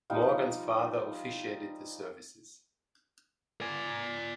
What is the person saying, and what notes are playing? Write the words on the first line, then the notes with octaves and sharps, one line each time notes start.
Morgan’s father officiated the services.
F3 G3 D#4 F5
D5 G#5